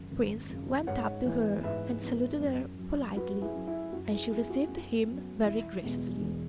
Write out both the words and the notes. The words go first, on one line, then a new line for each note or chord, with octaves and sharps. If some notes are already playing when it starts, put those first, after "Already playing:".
The Prince went up to her and saluted her politely, and she received him very graciously.
Already playing: G#1 F#2 C#3
G#1
F#2 C#3
G#2 C#5 F#5
E3 B3 E4
G#2 B4 E5
E3 B3 E4
F#2
F#3 C#4
F#2 F#4 B4
E4 G#4
F#3 C#4
E4
F#2 F#4
E4 G#4
F#3 B3 E4 G#4
F#4
F#2
F#3 B3
E1 E4
E2 B2 G#3 B3
E1